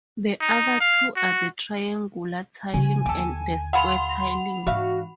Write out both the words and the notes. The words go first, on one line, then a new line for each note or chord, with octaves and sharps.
The other two are the triangular tiling and the square tiling.
D#4
F5
F#4
C#3 F3 G#5
D#2 D3 G4 A4
F#4 G#4 F5 F#5 B5 C6 F7
G#2 E3 D4 F#4 E5 F5